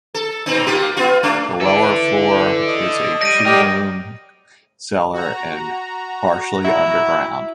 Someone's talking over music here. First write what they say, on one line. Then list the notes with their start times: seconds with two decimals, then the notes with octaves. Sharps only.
The lower floor is a two-room cellar, and partially underground.
0.14 A4
0.46 A#2 C4 D#4
0.67 A#3 F4 G4
0.97 B3 F4
1.23 A3 D4
1.61 E3 A4 D5
2.67 D#5
3.22 G4 D5 A#6 D#7
3.46 F#3 G3 A#4 D5 D#5 G5
5.13 F#4 A#5
6.64 E4